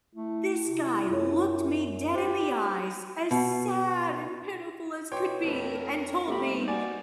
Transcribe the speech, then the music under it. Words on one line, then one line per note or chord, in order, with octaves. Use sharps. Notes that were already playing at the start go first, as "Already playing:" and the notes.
this guy looked me dead in the eyes, as sad and pitiful as could be and told me,
A3 E4
C3
F#2 F4 C#5
G4 C5
B2
B2 C#5 G5 C6 D6
F2 A3 A#4 B4
C3 G3 A3 A#3 D#4 G4 B5
F#4 D5 G#5